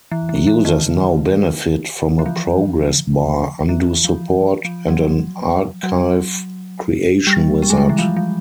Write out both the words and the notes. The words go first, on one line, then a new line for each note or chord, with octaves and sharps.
Users now benefit from a progress bar, undo support, and an archive creation wizard.
E3
E3
E3
D#3
E3
F3
E3
F3
F3
F#3
F#3
G3
G3
G#3
G3
E3
F3
F3